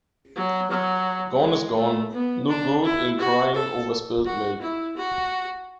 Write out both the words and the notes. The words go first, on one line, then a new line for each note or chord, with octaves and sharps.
Gone is gone. No good in crying over spilt milk.
F#3
F#3
G#3
A3
B3
D4
E4
F#4
A4
F#4
E4
F#4